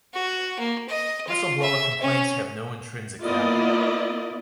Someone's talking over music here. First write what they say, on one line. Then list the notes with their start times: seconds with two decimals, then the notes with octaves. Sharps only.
Whistleblower complaints have no intrinsic value.
0.13 F#4
0.59 A#3
0.89 D#5
1.27 F4
1.62 E5
2.01 C#4
3.24 A#3 B3 E4 F4 D5 D#5